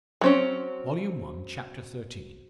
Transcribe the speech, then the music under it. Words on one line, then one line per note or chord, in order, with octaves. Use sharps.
Volume One, Chapter XIII.
F#3 C4 C#4